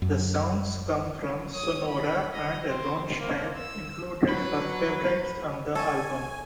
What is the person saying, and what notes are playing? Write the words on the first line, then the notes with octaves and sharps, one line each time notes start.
The songs come from Sonora and Ronstadt included her favorites on the album.
F#2
C#5 D#6
B5
D#5
C4
A#3 C5
E6
F#3 B4
A4 C#5 D#5 G#5 C#6